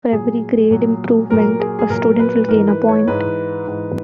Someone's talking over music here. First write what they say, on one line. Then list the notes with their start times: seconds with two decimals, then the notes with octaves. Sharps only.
For every grade improvement a student will gain a point.
0.12 A#2 F#3 G#4
0.71 A#2 F#3
1.30 A#2 F#3 A#4
1.60 G#4
1.79 G#4
1.90 A#2 F#3 A#4
2.19 B4
2.48 G#2 E3 A#4
2.68 B4
2.88 C#5
3.08 G#2 E3 B4
3.67 G#2 E3